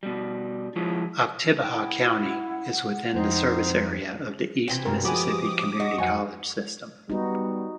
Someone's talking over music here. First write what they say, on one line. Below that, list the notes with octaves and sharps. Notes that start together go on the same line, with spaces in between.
Oktibbeha County is within the service area of the East Mississippi Community College system.
B2 G3
F3 G#3 E4 F4 C#5
E4 F#5 G5
F2 C4 D#4 C5
C3 E3 G5
G2 B2 A#4
F3 G#3 F#4 G4 B4 G#5 D6 D#6
F#4 D#5
F2 F#3 D#4 F#5 G#5 C#6
G3 B3 D#4 F#4